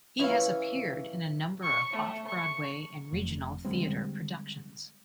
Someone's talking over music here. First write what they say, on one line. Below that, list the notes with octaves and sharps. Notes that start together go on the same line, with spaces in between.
He has appeared in a number of off-Broadway and regional theater productions.
E3 C#4 E4 F5
C#6
A3
C#6
F1
D3 G3 G#3 C4